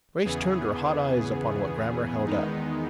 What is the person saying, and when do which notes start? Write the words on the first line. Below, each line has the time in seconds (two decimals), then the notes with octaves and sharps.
Grace turned her hot eyes upon what Grammer held up.
0.25 E2 C#3 E3 B3 G#4
2.26 E2 D#3 G#3 B3 D#4